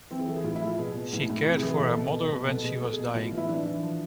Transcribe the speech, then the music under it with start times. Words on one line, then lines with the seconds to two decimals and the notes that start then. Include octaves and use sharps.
She cared for her mother when she was dying.
0.11 E3 C4
0.20 G#4
0.28 E3 A4
0.36 G#4
0.44 A2 F4
0.56 E4
0.61 F3
0.67 F4
0.78 B2 G#4
0.95 B2
1.13 A2
1.30 A2
1.45 C3
1.57 G#4
1.63 E3
1.68 G#4
1.80 B2 A4
1.97 B2
2.13 B2
2.31 B2
2.48 B2 A4
2.64 B2 G#4
2.81 B2 A4
2.93 G#4
2.99 B2
3.15 A2 F4
3.26 F4
3.32 E3
3.37 E4
3.48 E3 D4
3.66 E3
3.83 F3